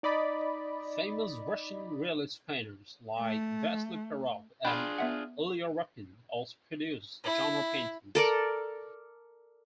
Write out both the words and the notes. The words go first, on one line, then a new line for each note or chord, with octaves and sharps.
Famous Russian realist painters like Vasily Perov and Ilya Repin also produced genre paintings.
D#4 D5 D#5 B5
A3
D4 F4 G#4 G5 B5 G6
B3 E5 F#5
E4
A4 A#4 D5